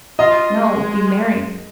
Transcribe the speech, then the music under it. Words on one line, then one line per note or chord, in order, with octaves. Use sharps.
No, be merry.
F4 D#5
G#3